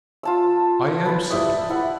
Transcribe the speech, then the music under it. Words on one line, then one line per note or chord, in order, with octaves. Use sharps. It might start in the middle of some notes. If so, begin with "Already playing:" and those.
'I am settled.
F4 A5 E6
B4 G5 A5
E4 G4 D5 D#6
E4 F#5